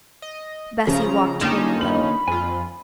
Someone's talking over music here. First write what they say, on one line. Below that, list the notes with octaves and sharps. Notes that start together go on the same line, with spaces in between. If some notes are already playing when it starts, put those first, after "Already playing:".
Bessy walked home alone.
D#5
C#3 F3 C#5 A#5
D3 A#3 C#4 D#4 F4 G4 G5 E7
B5 F#7
F2 F4 G#5